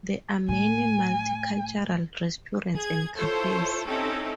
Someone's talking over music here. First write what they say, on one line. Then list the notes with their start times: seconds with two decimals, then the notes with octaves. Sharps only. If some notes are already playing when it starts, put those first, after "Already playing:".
There are many multicultural restaurants and cafes.
0.49 A2 G#5
2.77 G#4 G#6
3.16 E4 F4 A4 C5 C#5
3.87 C4 C#4 D#4 E4 G4 A4